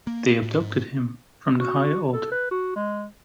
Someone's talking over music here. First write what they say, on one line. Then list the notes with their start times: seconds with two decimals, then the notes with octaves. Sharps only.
They abducted him from the high altar.
0.07 A#3
0.42 A2
0.60 G#2
1.60 F#4
2.13 A4
2.32 B4
2.51 F#4
2.76 G#3